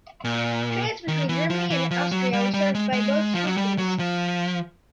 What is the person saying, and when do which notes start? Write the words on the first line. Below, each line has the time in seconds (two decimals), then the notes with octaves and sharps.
Trains between Germany and Austria were served by both companies.
0.24 A#2
1.08 D#3
1.29 E3
1.50 F3
1.70 E3
1.91 F3
2.12 F#3
2.33 G3
2.54 G3
2.75 G#3
2.93 G#3
3.35 F3
3.47 F#3
3.57 G3
3.78 F#3
3.99 F3